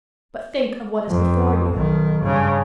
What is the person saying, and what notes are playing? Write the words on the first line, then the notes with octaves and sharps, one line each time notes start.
"But think of what is before you."
F2
B1 D#3
G2 C#3